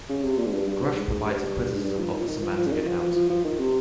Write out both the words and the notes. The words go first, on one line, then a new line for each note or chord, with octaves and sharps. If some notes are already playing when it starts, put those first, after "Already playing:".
Grush provides a criticism of the semantic account.
C#3
C3
A#2
G#2
G2
G2
G2
G#2
G#2
G2
G#2
G2
F3
D#3
F3
D#3
F3
F3
C#3
D#3
F3
F3
F3
F3
D#3
C3